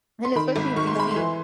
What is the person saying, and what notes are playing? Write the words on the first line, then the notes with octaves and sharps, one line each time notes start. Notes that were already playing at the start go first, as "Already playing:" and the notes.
and especially DC
C6
D#3 B5
G#1
D#3 C#6
C6
G#3 B5
C6
E3